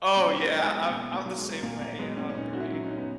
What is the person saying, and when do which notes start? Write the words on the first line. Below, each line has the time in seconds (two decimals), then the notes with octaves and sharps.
Oh yeah, I'm I'm the same way, and I'm very
0.17 B2 A#3 C#4
0.41 G#3 B3
0.54 F#3
0.66 G#3 B3
0.85 B3
0.90 B2 A#3
1.14 A#3
1.26 F#3
1.38 G#3
1.62 A#2 A#3
1.82 A#3
1.99 F#3 G#3 B3
2.17 A#3 C#4
2.29 C#4
2.35 A#2 B3 D#4
2.53 F#4
2.60 C#4 E4
2.72 F#3
2.83 D#4
2.91 C#4
2.98 B3 D#4